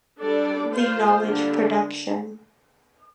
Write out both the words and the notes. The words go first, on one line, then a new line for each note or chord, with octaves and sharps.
The knowledge production.
G3 D4 A4 D5
A#3 F4 C5
D3 G3 A#3 D4 G4